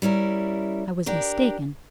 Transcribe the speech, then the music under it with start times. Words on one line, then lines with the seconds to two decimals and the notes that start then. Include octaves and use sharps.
I was mistaken.
0.02 G3 C#4 E4 A#4
1.06 D4 G4 A#4